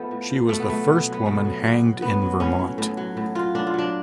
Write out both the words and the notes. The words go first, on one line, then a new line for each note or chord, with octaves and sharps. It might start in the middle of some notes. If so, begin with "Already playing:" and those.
She was the first woman hanged in Vermont.
Already playing: F3 A3 B3
A2
F3
B2 A3
B3
F#3 A3
B2
F#3
B3
B2 A3
F#3
B2
F#3
A2 B3
F#3
A2 C#4
F#3
A2
F#3
A2
F#3 F4
A2 D4
F4
F#3 D4